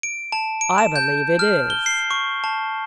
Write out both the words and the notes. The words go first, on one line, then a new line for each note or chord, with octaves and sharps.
"I believe it is."
D7
A5
D7
E7
G6
F6
G7
C7
C#6
A5